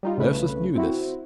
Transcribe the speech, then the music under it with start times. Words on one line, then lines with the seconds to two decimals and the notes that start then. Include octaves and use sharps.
Ursus knew this.
0.03 G3 D#4 F4
0.17 C2 C#3 A3 B4
0.76 C4 E4 F#4